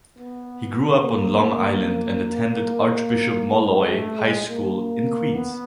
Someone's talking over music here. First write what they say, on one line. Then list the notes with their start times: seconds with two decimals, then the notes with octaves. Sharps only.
He grew up on Long Island and attended Archbishop Molloy High School in Queens.
0.18 B3
1.04 A#3
3.62 G#3
3.91 A3
4.20 G#3
4.48 A#3
5.35 B3